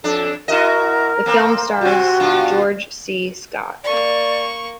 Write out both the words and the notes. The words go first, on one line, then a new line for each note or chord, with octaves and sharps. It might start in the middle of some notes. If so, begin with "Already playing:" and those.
The film stars George C. Scott.
F2 D4 A4
E4 F#4 A#4 D#5
A#3 C4
C3 C4 F#4
G2 B2 F4
A#3 D5 C#6